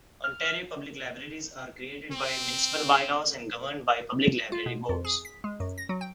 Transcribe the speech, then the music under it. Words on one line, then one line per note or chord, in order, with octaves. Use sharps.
Ontario public libraries are created by municipal by-laws and governed by public library boards.
F6
C4
F4
B2
F2
G#4
B6
G#3
F#2
A#6
F#3
G5